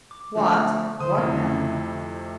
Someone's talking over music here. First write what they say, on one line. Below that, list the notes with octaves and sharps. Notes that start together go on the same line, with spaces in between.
"What--what man?"
D6
D3 F3 A3
D3 C5 D#6
F2 C3 A3 E4